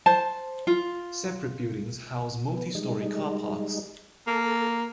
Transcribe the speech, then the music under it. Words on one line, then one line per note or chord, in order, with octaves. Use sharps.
Separate buildings house multi-storey car parks.
C5 A5
F4
B3
G3 G#3 D#4
A#3 A4